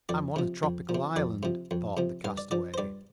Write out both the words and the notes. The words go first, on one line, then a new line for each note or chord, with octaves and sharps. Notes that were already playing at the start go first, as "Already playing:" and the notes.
"I'm on a tropical island," thought the castaway.
F2 D5
C3 F3
F2
F3
C3
F2 D5
C3 F3
F2
C3 F3
G2 F5
D5
F3 D5
C5
G2 D5